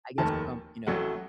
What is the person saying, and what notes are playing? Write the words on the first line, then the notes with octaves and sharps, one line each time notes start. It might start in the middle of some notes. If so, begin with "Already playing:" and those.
I guess Trump, you know,
F1 D#2 D#3 A3 A5
A1 A2 F#3 A3 F#5